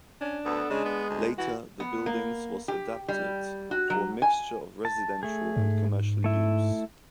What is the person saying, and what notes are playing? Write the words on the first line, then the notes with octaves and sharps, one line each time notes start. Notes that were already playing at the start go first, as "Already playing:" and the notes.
Later the buildings was adapted for a mixture of residential and commercial use.
C#4 D4
D2 B3 A4
C#3 G#3
B3
D2
E3 F#4
B3
A#3
G4
G3
F#4
F#3
G#5
A5
A3 G#4
G#2
A3 E4